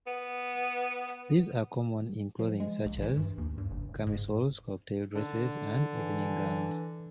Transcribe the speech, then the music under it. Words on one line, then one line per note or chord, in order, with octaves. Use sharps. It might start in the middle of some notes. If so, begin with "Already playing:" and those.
These are common in clothing such as camisoles, cocktail dresses, and evening gowns.
B3
F3
G#3
A#1
E3
G2
D#2
G2
F#1
F#1
G#2
D3
E3